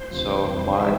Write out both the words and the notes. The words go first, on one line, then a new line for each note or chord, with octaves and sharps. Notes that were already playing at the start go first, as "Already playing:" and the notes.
and so my
Already playing: C5
D2 C3 F3
F2 C3 E3
C3 E3 E5